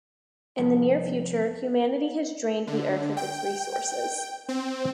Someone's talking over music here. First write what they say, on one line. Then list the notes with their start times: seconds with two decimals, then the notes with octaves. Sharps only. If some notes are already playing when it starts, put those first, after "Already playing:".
In the near future, humanity has drained the earth of its resources.
0.59 C2 F2
2.67 D3
3.17 G5
4.49 C4